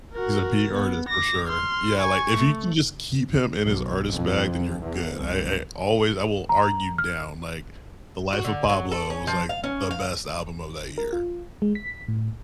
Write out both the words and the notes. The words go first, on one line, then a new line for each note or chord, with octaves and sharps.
He's a peak artist for sure. Yeah, like, if you can just keep him in his artist bag, then you're good. I I always I will argue down, like, The Life of Pablo was, like, the best album of that year.
F#4 A#4
B3
D6 A#6
C6 F6
G#5 C#6
A3
B1
F2
E2
C2
A#5
F6
F#4
D3
F#3
A4
C#4
F3
F5
C#4
F5
A#4
F4
G#3
B6
A2